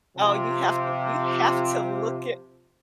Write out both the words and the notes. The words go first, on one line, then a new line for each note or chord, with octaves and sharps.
Oh, you have to you have to look it
C3 F3